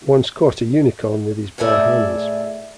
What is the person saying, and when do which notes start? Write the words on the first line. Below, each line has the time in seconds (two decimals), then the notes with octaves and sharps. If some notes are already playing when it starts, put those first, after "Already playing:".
Once caught a Unicorn with his bare hands.
1.58 A2 G#4 D5 E5